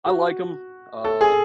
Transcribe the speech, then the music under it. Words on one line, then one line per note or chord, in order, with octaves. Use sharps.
I like 'em. Uh,
F#4
A4
G#4